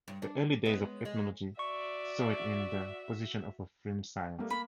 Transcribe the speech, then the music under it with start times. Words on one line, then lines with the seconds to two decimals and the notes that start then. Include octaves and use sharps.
The early days of ethnology saw it in the position of a fringe science.
0.08 G2
0.22 D4
0.66 G#3 B3 C#4
1.05 G#3
1.59 F#4 D5 E5 C#6
4.38 G3 A3 A#3
4.50 A#3 B5